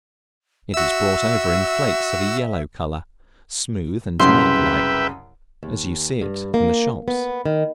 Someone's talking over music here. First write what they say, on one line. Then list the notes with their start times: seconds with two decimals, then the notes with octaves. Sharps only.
It is brought over in flakes of a yellow color, smooth and net-like, as you see it in the shops.
0.74 F#4 E5 E6
4.20 C2 F#2 C#3 B4 E5 G5 C6
5.63 D#2
6.21 G2
6.54 A#3
7.08 B3
7.46 D#3